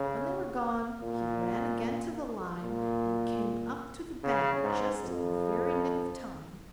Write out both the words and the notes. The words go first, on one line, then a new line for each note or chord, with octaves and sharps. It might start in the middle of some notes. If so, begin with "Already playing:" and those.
When they were gone, he ran again to the lime, and came up to the battle just in the very nick of time.
Already playing: C#3
A#2
A#2
C#3
G#2
F2